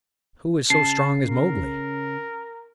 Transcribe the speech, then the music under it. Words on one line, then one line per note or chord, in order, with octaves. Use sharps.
Who is so strong as Mowgli?
C#3 A5 C7
A#4